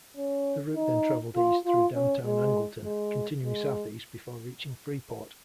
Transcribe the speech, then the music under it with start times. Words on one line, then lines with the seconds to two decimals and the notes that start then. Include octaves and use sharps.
The route then traveled east through downtown Angleton, continuing southeast before reaching Freeport.
0.17 C#4
0.76 D#4
1.36 F4
1.65 F4
1.95 C#4
2.25 G#3
2.84 G#3
3.44 G#3